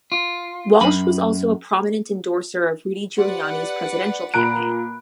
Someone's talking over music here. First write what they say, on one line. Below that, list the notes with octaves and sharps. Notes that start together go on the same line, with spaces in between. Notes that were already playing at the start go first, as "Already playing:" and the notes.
Walsh was also a prominent endorser of Rudy Giuliani's presidential campaign.
F4
F#2 B5
G4 B4 D5 F#5
A#2 A#5 B5 F#6 D7